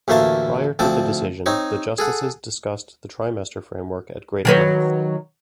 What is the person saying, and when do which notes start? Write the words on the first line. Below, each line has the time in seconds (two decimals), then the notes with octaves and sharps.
Prior to the decision, the justices discussed the trimester framework at great length.
0.08 A1 D2 A3 A#3 F5 A5
0.79 D2 F3 C4 A5 D6
1.46 C4 D#4 C#5
1.98 G#4 A4 F#5
4.45 D#3 F#3 B4